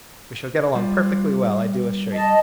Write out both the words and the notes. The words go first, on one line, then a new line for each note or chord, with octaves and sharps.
We shall get along perfectly well, I do assure you.
G3 F4
D#5 A5